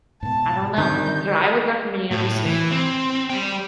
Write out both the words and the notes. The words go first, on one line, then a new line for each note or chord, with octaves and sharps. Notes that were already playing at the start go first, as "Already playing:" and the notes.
I don't know. What I would recommend, you know, just the, like,
G#2 B2 A5
D3 D#3 G3 C4 G6
A2
E3
C4
G3 G5